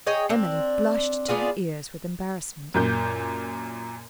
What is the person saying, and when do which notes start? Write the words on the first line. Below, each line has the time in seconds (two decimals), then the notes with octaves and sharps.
Emily blushed to her ears with embarrassment.
0.07 G#4 C#5 D#5 G5
0.30 C4 D4
1.28 B3 D4 F4 G#4
2.74 F#2 A#2 G6